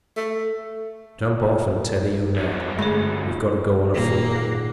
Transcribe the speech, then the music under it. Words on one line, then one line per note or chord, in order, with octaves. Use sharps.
Jump off and tether your nag. We've got to go on afoot.
A3
F2 F#3
G2 D3 G#3 A3 G#4
G#1 A#2 A#3
F#5 A#6 C7